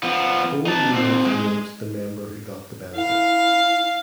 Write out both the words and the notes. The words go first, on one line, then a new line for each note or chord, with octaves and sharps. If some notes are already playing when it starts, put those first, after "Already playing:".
Bold names denotes the member who got the benefit.
F3 B3
D#4 A5
D#2 C4
G#3
E4 F5